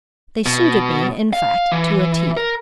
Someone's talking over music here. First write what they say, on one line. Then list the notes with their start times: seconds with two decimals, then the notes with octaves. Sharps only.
They suited me, in fact, to a T.
0.46 B2
1.33 F5
1.71 E3
2.37 A#4